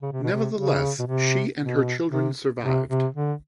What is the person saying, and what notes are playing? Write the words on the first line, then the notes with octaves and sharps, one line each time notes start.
Nevertheless she and her children survived.
C#3
C3
B2
C3
C#3
B2
C3
B2
C3
C3
C3
D3